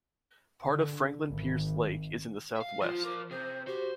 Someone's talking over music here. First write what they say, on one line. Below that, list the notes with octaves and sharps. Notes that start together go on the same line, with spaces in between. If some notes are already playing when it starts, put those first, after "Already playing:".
Part of Franklin Pierce Lake is in the southwest.
D3
G#1
E5 F5
F3 F4 C5
A#4 C5 D6
C3 G#4 C5
F#4 G4 C5